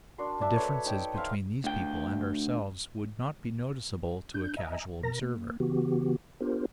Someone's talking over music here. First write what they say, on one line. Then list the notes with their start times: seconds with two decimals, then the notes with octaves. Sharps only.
The differences between these people and ourselves would not be noticeable to a casual observer.
0.18 D4 F#4 A#4 C6
0.40 A#3 D4 E5 A5
0.56 A4 B4 C#5
0.85 D#4 C#5 G5
1.15 C5 E5 F5 A#5
1.64 D2 G5
4.34 D4 G6
4.57 D#5 E5 G#5 A#5
5.03 B2 A#4 A#5 A#6
5.22 A#3
5.60 C#3 E3 B3 F#4 G4
6.40 B3 D4 F4 G4 A#4 C5